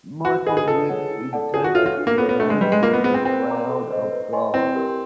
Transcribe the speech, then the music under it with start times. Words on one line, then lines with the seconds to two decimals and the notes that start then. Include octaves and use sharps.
Michael Knibb interprets his name to be "cloud of god".
0.24 F#4 B4
0.47 G#4 D#5 G#5 B5
0.57 G#4
0.68 F4 A4
0.89 G#4 C#5 F#5
1.11 E4
1.33 A4 D5 F#5 A5
1.54 F4 G#4
1.64 F#4
1.75 F4 A4 C#5 E5
1.86 F4
1.97 D4
2.07 A#3
2.18 B3 F4 A4 C#5
2.29 B3
2.39 A3 D4
2.50 G#3
2.61 G3 G4 B4 D#5
2.72 G#3
2.82 A#3 F4
2.93 B3
3.04 B3 G#4 C5
3.14 C4
3.25 C4 A#4
3.47 C#5 F5 A#5 D6
3.68 A4
3.90 C5 D#5
4.11 B4
4.33 D#5 G#5 C6
4.54 C4 E4
4.75 G4 A#4